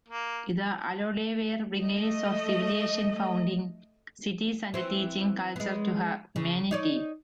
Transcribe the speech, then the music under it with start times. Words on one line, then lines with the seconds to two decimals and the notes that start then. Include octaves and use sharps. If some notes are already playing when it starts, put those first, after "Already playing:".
The Aloadae were bringers of civilization, founding cities and teaching culture to humanity.
0.08 A#3
1.80 A3 D#5
4.74 E3 C4
5.56 G#3 B3
6.36 C#3
6.71 D#4 C#5 D5